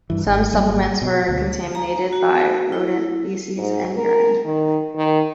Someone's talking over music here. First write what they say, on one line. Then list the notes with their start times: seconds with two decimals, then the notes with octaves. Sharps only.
Some supplements were contaminated by rodent feces and urine.
0.10 G2 E3
0.26 G#1
0.53 G#1 F#3 G3 A#3
1.02 B2
1.28 D2
1.75 A#5
2.13 F#4
2.72 E4
3.58 G#2
3.96 A#4
4.45 D#3
4.96 D#3